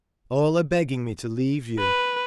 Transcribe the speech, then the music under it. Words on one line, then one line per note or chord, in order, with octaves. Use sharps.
All a-begging me to leave you.
B4